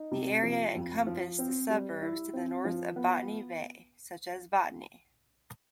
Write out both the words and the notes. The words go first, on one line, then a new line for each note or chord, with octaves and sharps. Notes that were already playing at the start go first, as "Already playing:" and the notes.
The area encompassed the suburbs to the north of Botany Bay, such as Botany.
Already playing: D#4
C3
F3
F2
F3
C4
G3
E4
C4
F3
B3